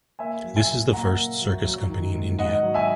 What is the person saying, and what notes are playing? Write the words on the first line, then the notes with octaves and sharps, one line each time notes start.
This is the first circus company in India.
A#3 E5 G#5
F#3
E5 G#5
A#2
A#2 F#5 A#5
A#3
F#3
F#3
D#3
G#2
G#2 D#5 F#5
F#3
E5 G#5